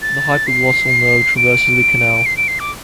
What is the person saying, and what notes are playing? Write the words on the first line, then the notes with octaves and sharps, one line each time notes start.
The hypoglossal nerve traverses the canal.
A6
C7
D7
C7
D7
C7
D6